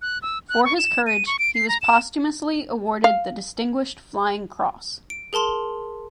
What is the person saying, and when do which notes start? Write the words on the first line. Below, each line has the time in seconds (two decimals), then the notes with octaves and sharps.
For his courage, he was posthumously awarded the Distinguished Flying Cross.
0.02 F#6
0.22 E6
0.49 F#6
0.65 C#6
0.78 E7
1.07 D#7
1.27 C#6
1.39 D7
1.55 C7
1.69 A#5
1.82 E7
3.04 F5
5.10 D7
5.33 G#4 A#4 A5 C6 G7